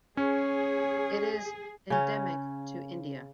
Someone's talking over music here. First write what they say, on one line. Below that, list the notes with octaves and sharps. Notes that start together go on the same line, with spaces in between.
It is endemic to India.
C#4 G#4 C#5
C#3 C#4